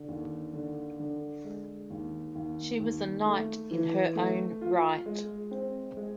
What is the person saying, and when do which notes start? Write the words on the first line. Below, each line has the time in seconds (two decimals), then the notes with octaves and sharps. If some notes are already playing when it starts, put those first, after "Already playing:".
She was a knight in her own right.
Already playing: D3
0.08 D#2
0.53 D3
1.00 D3
1.44 G#3
1.90 D#2
2.35 D#2
2.80 D#2
3.26 A3
3.71 E3
4.16 A3
4.61 F4
5.06 G#3
5.51 C4
5.97 G#3